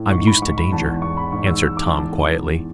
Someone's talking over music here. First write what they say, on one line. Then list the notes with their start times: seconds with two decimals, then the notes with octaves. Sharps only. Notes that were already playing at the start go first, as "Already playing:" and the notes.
"I'm used to danger," answered Tom, quietly.
Already playing: A2
0.12 G#2 C#6
0.27 B5
0.42 G#2 C#6
0.57 B5
0.72 E2 A5
1.02 E2 C#6
1.17 B5
1.32 G#2 C#6
1.47 E6
1.62 G#2 E6
1.77 D6
1.92 E2 A5
2.22 E2